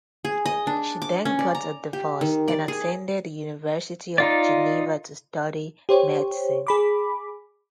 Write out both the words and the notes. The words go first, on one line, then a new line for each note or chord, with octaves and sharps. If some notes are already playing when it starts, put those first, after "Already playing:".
She then got a divorce, and attended the University of Geneva to study medicine.
G#4
D#5
D4
D6
C#4
D5
A#5
G4
D#3
D5
G#4
D#4 F4 D5
G4 C5 C#5
G#4 B5 D6